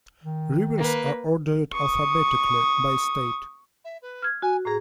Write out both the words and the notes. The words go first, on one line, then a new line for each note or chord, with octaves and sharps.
Rivers are ordered alphabetically, by state.
D#3
A#3 B4
C#6 D#6
E5
B4
F6 G#6
F#4 G#5
A2 G#4 A#5